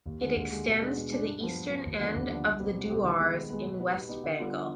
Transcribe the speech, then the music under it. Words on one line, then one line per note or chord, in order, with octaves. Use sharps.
It extends to the eastern end of the Dooars in West Bengal.
D#2
D3 G#3
D#2
D3 G#3
B2
G#3 D4
B2
G#3 D4
G2
F3 B3
G2
F3 B3
D#2
D3 F3 B3 D4
D#2
D3 F3 B3 D4
C2
B2 G3 C4 G4
C2
B2 G3 C4 G4
D#3
G#3 B3
D#3
G#3 B3
B2
B3 D#4 G4
B2
B3 D#4 G4
D3
G3 B3 D4 F4
D3